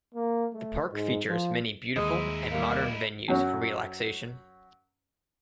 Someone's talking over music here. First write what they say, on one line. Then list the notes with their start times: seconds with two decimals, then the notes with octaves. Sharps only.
The Park features many beautiful and modern venues for relaxation.
0.15 A#3
0.53 A3
0.92 G#2
1.27 F3
1.96 D#2 G#3 D#4 E4
2.52 G3 A#3
3.28 F#2 F#3 C#4